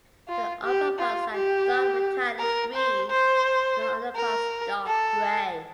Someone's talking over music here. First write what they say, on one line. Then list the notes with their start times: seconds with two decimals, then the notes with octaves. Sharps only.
The upperparts are dark metallic green and the underparts dark gray.
0.28 F4
0.63 G4
0.99 F4
1.34 G4
2.39 A#4
2.75 C5
3.11 C5
4.16 A#4
4.86 A4